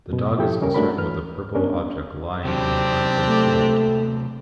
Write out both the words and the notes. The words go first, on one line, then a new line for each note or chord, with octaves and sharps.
The dog is concerned with a purple object lying in an uncut field.
F#2 B2
F3 E4 G4 A4 G5
C#3 G3 C#4 A#4
A3 D4 F#4 A#4 C#5 B5
E3 B4 F6
G2 B3 C#4 D4 A#4
C3 F#3 C4 D4 G4
A3